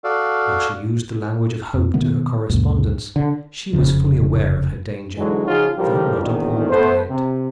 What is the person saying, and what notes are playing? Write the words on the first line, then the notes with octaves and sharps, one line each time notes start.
While she used the language of hope to her correspondents, she was fully aware of her danger, though not appalled by it.
F#4 A4 D5 F5
F2
B2 D#3 A3 B3
C#2 F#2 A#2
D3
F1 D2 C#3 F3
G#2 D3 E3 F#3 G#3
C#3 F3 D#4 F4 F#4 G#4
A1 G#2 F3 G3 G4 A#4
A#1 E2 B2 D#3
A3 B3 C5
C3